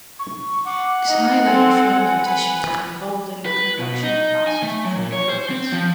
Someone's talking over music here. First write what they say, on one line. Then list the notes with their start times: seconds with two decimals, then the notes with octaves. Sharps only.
Xylem and phloem tissues are involved in the conduction processes within plants.
0.19 C#6
0.66 F#5 D6
1.08 D#4 D#5
1.45 C4 A4 G#5
2.21 B4
3.46 B4
3.79 B2
4.03 D#4
4.47 G#5
4.63 A3
4.85 F#3
4.96 A#2
5.12 C#5
5.29 C5
5.50 C4
5.72 F3